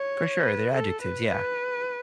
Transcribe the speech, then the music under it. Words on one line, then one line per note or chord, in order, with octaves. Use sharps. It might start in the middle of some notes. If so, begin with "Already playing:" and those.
For sure, they're adjectives, yeah.
Already playing: C#5
B4
A4
B4
B4